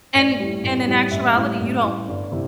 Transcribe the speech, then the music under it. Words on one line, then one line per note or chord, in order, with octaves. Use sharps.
and and in actuality, you don't
A1 D5
A2 G3
A1
A2 G3
A1 E5
A2 G3 F5
A1
A2 G3
G1 D5
C3 E4